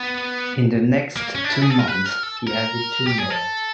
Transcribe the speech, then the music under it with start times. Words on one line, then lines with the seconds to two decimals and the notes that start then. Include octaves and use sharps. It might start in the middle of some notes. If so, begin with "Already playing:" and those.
In the next two months he added two more.
Already playing: B3
1.17 A#3
1.35 C#4
1.44 D4
1.52 E4
1.62 G#4
1.70 A4
1.79 A#4
1.88 B4
2.06 A#4
2.23 A4
2.47 A#4
3.07 G4
3.18 G#4
3.30 A4